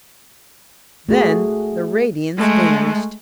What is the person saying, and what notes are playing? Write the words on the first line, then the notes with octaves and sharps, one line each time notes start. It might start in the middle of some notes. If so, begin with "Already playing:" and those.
Then the radiance vanished.
A3 F#4 G#4
G#3 A3